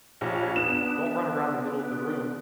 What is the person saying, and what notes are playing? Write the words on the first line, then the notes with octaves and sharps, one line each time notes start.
Don’t run around the middle of the room!
A#1 G4 C#5
B3 D4 E7